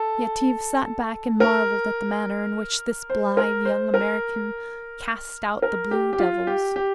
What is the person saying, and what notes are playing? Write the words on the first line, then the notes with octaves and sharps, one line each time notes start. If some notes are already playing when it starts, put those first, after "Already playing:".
Yetive sat back and marvelled at the manner in which this blithe young American cast out the "blue devils."
Already playing: A4
A#4
C5
A#4
C5
A#4
A#4
G4
G4
F4
G4
G4